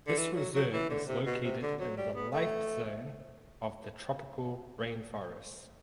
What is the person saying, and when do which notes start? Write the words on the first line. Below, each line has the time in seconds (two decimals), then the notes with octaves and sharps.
This reserve is located in the life zone of the tropical rainforest.
0.07 D3
0.18 E3
0.36 F#3
0.54 F#3
0.72 E3
0.90 D3
1.08 C3
1.26 B2
1.43 C3
1.62 D3
1.80 F#3
1.97 G3
2.15 B3
2.33 A3